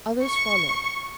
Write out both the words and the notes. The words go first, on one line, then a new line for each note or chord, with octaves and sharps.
Others followed.
C#6